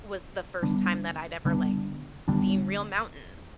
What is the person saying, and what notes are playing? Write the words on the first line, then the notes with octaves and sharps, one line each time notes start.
was the first time that I'd ever, like, seen real mountains,
D3 G3 B3 D4
D3 G3 B3 D4
D3 G3 B3 D4